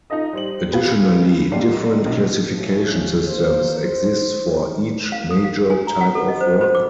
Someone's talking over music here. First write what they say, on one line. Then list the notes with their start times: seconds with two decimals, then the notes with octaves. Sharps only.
Additionally, different classification systems exist for each major type of rock.
0.10 D#4 F4 A4 D#5 D#6
0.33 G3 C5 F#7
0.72 F4 G#4 B4
1.51 D#2 G#2 G3 A#3 D4 C7
2.06 B1
2.56 D#3 F3 F#3 G#3 A3 C#4
3.26 A#3 C5
3.78 C5
5.12 F5
5.31 D#6
5.44 F5
5.59 A#4
5.70 G#5
5.87 A#5
6.01 F#5
6.15 A4
6.28 D#5
6.41 C5
6.61 C5
6.75 D6